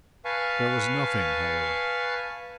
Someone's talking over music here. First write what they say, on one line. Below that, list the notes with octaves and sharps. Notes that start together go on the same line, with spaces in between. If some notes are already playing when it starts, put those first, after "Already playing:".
There was nothing, however.
B4 F5 G#5 A5 C#6